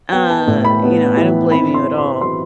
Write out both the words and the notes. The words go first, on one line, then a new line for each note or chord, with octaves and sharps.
uh you know, I don't blame you at all.
B3 G5
A5
A2
B5
B3
E3
C4 B5
C6
C4
C6
F#3 C6